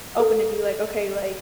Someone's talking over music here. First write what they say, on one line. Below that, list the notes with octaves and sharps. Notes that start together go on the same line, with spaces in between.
open to be like, "Okay, like,
A4